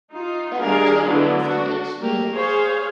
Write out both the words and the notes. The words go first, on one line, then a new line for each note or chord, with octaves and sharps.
There are two rooms in each unit.
D#4 F4
D#3 G3 D4 G#4 A#4 F5
D3 F#3 B3 D4 E4
D4 F#4
A3 A#3 G4 A#4
G#4 C5 C#5 F5